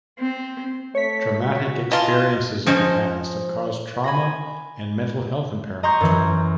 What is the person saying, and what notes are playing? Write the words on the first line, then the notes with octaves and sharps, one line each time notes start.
Traumatic experiences of the past have caused trauma and mental health impairment to her.
C4
A3 C#5 B6
F#4
E3 F4 D#5 A5 C6
F3 C#4 C5 D#5
G#5 B5 A#6
D#5 A#5 C6 C#6 G6
F#2 E3